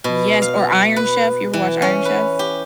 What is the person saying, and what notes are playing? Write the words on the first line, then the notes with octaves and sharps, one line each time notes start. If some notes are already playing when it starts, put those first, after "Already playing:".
Yes, or Iron Chef, you ever watched Iron Chef?
B2
F5
B4
E3
C#4
B4
G4